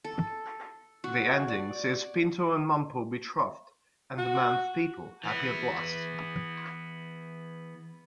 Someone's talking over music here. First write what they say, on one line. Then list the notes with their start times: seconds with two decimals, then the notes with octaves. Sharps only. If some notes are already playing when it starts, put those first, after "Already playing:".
The ending sees Pinto and Mumpo betrothed, and the Manth people happy at last.
0.04 A4
1.04 F#4
1.48 D5
4.18 F#4
5.23 E3 B3